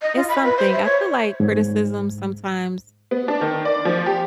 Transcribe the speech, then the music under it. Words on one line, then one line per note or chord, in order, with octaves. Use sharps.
It's something. I feel like criticism sometimes
D#5
F4
B5
B4
C5
E5
C#5
G#2
B3
D4
D#3
D5
F3
G4